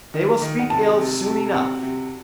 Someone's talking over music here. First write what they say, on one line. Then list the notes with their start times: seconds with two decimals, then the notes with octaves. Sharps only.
They will speak ill soon enough.
0.14 D#3
0.42 D#3
0.59 F#5
0.70 C3 A5
0.98 C3
1.26 C3
1.54 C4 F#5
1.82 C3